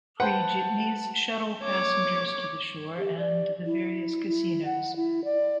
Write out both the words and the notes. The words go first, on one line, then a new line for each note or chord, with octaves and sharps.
Free jitneys shuttle passengers to the shore and the various casinos.
B4 C5 F#5 G5 A5
C#5 D6
G4
D5
E4
E4
F#5
E4
D5